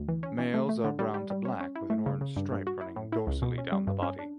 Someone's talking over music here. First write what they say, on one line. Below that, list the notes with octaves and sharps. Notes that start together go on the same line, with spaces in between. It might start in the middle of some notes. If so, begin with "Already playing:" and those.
Males are brown to black with an orange stripe running dorsally down the body.
Already playing: D2
E3
C#4
E3
A3
A3
D3
G3
G3
G3
C#4
C#4
E4
A3
C#3
C#3
G2
G2
F#4
E4
A2
E4
C#2
B2
C#4
G3
G2
C#4
D4